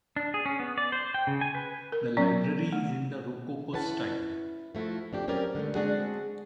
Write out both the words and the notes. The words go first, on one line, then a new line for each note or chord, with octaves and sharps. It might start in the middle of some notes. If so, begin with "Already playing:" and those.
The Library is in the Rococo-style.
D4
G#4
C#4
B3
D5
C5
G5
C#3
G#5
B4
A#4
F#3 B3 C#4 D5
A3
C#4 E4 B4 F#5 A5
F3 A3 E4 F#4
F2 D4 G4
F#3 C4 C#4 G4 A#4 D5
D3 G#3 A3
G#3 C4 D4 F#4 G#4 F#5